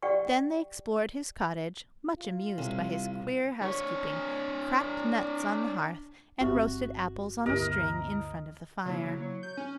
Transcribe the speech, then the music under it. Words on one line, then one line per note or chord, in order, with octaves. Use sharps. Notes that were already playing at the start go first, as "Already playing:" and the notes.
Then they explored his cottage, much amused by his queer housekeeping, cracked nuts on the hearth, and roasted apples on a string in front of the fire.
G4 D5 F#5 G5 C#6
F4
C2
D4 C#5
G1 C4 F#4 G4 E5
D2 G2 B3 E4 G4 A#4 D#5
C#3 F#3 A#3 E4
C#5
G6
C#4